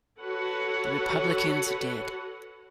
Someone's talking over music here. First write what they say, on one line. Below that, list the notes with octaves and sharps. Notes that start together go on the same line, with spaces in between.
The Republicans did.
F#4 A4 B4 C#5 F#5